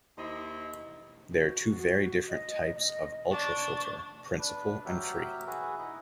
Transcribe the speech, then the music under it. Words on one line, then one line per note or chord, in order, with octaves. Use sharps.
There are two very different types of ultrafilter: principal and free.
D#2 E4 C5 D#5
F#4
D#5
D#5
D4 C#6
D4 B4
F#3 G4 A#4 E5
F#4 G#4 B4 E5
D#4 E4 D#5